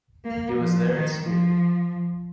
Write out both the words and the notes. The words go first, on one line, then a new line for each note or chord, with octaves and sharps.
He was there in spirit.
A#3
F3
D#3
F3